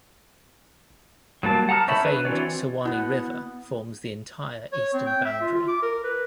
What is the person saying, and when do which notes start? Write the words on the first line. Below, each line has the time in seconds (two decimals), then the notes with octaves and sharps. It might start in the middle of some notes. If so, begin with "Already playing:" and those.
The famed Suwannee River forms the entire eastern boundary.
1.43 F#3 G3 A#3 A5
1.69 F#5 A5 A#5 D#6 F6
1.88 D#4 C#5 E5 A5 B5
2.03 D4 B4
2.25 E3 C4 F#4 C#5 D5
2.85 B2 B3 E4 F#5
4.73 C#5
4.94 C4
5.06 G5
5.25 E5
5.41 F4
5.55 F4
5.68 D6
5.82 A#4
6.04 B4